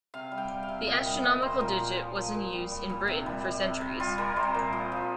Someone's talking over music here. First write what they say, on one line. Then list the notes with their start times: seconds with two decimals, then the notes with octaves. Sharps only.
The astronomical digit was in use in Britain for centuries.
0.14 C3 F5
0.32 G3
0.38 G5
0.50 G3
0.63 F5
0.69 C3
0.87 A#2 D#5
1.06 G3 F5
1.24 G3 D#5
1.42 A#2 C5
1.60 A#2 A#4
1.79 F3
1.98 F3
2.16 A#2
2.34 A#2
2.52 G3
2.71 G3
2.89 A#2
3.07 C3
3.26 G3
3.44 G3
3.63 C3
3.81 C3
4.00 G3 F4
4.18 G3 A#4
4.36 C3 C5
4.54 A#2
4.73 F3
4.92 F3